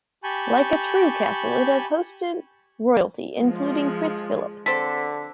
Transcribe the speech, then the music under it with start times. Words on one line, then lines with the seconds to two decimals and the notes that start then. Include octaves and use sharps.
Like a true castle, it has hosted royalty including Prince Philip.
0.24 G4 G#5 A5 B5 C#6 G6
3.34 F3 G#3
4.66 D3 C4 A4 B6